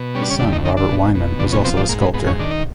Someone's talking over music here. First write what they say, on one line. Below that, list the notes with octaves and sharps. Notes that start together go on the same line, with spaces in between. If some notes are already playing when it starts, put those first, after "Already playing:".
His son Robert Weinman was also a sculptor.
Already playing: B2
G3 C#4
D4
C#3 C#4
D2 D3 D4
D#3 D#4
D3 D#3 D#4
D3 D4
B2
B2
F2 D3 D4
C#3 C#4
C3 F3 C4
D3 D4
G#2 A#3
B3
G#2 B3
C#3 C#4
D#3 D4
D#4